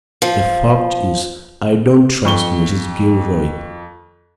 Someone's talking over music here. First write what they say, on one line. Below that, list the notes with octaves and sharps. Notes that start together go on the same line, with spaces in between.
The fact is, I don't trust Mrs. Gilroy.
F3
F2 C#6 G7